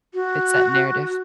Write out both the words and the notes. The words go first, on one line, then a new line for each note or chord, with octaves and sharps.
Fits that narrative.
F#4